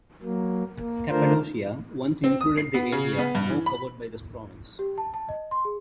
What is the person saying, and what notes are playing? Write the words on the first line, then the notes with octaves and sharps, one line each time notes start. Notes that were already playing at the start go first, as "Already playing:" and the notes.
Cappadocia once included the area now covered by this province.
F#3 A#3
A#3
D3 A3 D4 F4 A#4 C5
C4
D#6
C7
B3
C#3
B3
G2
E3
B5
G4
A5
A5
D#5
C6
G#4